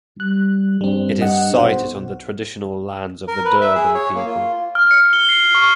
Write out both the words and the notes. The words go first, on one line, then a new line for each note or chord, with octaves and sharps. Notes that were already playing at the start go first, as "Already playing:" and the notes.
It is sited on the traditional lands of the Dyirbal people.
G3 F#6
G2 G3 C4
D#5 F#5
B1 F#4 C5
A#4
B4
E5
G#4
C#5
A#3
F4
F6
C#7
G7
C7
C#6